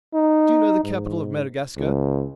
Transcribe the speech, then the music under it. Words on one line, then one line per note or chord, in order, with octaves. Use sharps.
Do you know the capital of Madagascar?'
D#4
G#2
C#2